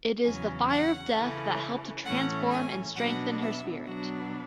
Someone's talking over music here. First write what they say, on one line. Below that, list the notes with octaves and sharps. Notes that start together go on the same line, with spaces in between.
It is the fire of death that helped to transform and strengthen her spirit.
E2 C#3 F#3 C#4 G#5
F#5
C#3 E3 A3 C#4
A2 E3 A3 C#4 F#5
G#5
B2 F#3 B3 D4 F#5
E5
B2 F#3 B3 D4 F#4